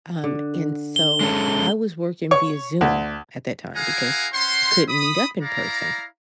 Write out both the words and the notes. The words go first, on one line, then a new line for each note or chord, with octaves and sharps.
Um, and so I was working via zoom at that time because you couldn't meet up in person
D3
G7
G#3 C#4 A4
C#5
D2
E4 G#4 F5 F#5 G#5 A#5
C#4 C5 F#5 C6
B5 D#6
E4 D5 F5 A#5